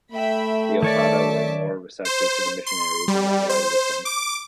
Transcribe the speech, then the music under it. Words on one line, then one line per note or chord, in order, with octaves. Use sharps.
The Opata were more receptive to the missionaries and allied with them.
A3 E5 G5 B5
D#3 C#5 D5 E5 A5 D6
C5
C6
G3
C5
D6